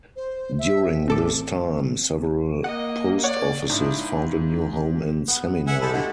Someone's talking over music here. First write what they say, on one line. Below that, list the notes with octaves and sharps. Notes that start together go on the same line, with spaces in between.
During this time, several post offices found a new home in Seminole.
C5
E5
A1 C4 A4 D6
A#3 D#5 F#5
C#5 D5 F#5
G#2 F3 D4 E4
B3
E5 F#5 G#5
G#3 E4 G4 A4 A5 B5
D3 G#3 A3 F#4 A4